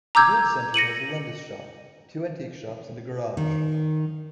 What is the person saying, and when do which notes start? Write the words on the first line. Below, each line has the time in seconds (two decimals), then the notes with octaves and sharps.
The village centre has a Londis shop, two antiques shops and a garage.
0.15 A#5 D6 E6 G6 G#6
0.74 A#6 C#7 D#7 F#7
3.37 D#3